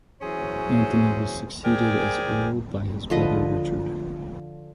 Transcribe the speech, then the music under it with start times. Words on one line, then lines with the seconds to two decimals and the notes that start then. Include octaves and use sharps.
Anthony was succeeded as earl by his brother, Richard.
0.21 E3 F#3 C#4 G#4 C5
1.64 G4 G#4 A#4 C5 D5 G#5
3.10 D3 F3 B4 D#5